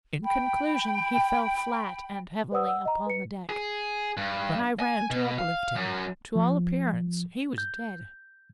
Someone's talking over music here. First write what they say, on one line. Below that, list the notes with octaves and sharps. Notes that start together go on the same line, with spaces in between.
In conclusion, he fell flat and heavily upon the deck. When I ran to uplift him, to all appearance he was dead.
G5 B5
B4 C5 D5 F#5 D#6 E6
F#5 E6
D#5 A#5
B4 C#7
G#4
G2
G#5
B2
F5
F#2
F3
G6